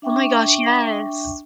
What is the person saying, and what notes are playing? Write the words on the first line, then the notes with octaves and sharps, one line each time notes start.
Oh my gosh, yes.
D4 E5 G5 C#6 D6